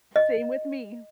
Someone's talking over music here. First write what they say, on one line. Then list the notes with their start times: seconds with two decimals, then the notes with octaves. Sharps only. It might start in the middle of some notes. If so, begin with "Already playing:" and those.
Same with me.
0.16 D#5